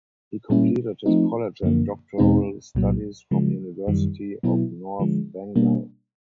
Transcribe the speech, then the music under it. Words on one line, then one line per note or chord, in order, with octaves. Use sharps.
He completed his college and doctoral studies from University of North Bengal.
A#2 G3 A#3 C#4 E4
F3 A3 C4 D#4
F#2 D3 F3 A#3
E2 B2 G#3 C4 D#4
C2 A#2 F#3
C#3 F3 G#3
F#2 D#3 G3
B2 F#3 B3 E4
D3 F3 G#3
B2 G3 A#3 D4